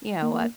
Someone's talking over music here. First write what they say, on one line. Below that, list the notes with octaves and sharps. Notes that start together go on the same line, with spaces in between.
you know, uh,
A#3
A#3